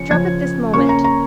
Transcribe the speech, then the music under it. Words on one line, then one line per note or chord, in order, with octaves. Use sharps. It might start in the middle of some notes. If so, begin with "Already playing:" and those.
Drop it this moment!
Already playing: C#3 F3 C#4 C#7
C#3 F3 C#4 G#6
C#3 A#3 C#4 C#6
A#5
A#5